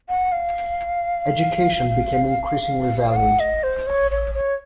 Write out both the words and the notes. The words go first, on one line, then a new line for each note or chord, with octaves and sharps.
Education became increasingly valued.
F#5
F5
F5
F#5
D#5
C5
C#5
C#5
C#5